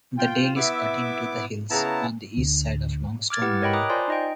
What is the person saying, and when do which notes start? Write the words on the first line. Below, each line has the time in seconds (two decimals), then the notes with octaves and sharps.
The dale is cut into the hills on the east side of Longstone Moor.
0.18 F4 G5
0.56 B3 E4 E5 D6
1.70 C#3 B3 E4 A5 A#5
2.37 D2
3.30 D6 F6 G#6 A6
3.42 E4 G4 B4 F#5
3.61 A#4 C#5 D#5 G5 B5
3.73 A#5 B5 D6 D#6 F#6
3.90 F4 C5 D5 G#5 C6
4.08 D#4 D#5 G5